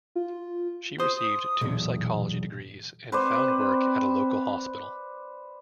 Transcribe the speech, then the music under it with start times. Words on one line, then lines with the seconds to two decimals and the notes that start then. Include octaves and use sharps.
She received two psychology degrees and found work at a local hospital.
0.16 F4
1.00 C5 D#6
1.61 B1 E2 A#2
3.12 C4 B4 C5 D5